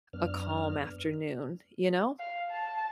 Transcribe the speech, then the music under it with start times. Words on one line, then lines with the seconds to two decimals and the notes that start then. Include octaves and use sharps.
a calm afternoon, you know?
0.13 F#2 B3 D4 F6
2.19 F5
2.51 A5